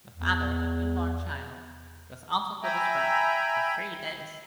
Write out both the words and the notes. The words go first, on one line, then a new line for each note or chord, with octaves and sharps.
The father of a newborn child goes out into the scrub for three days.
E2
E5 G5 G#5 A#5 B5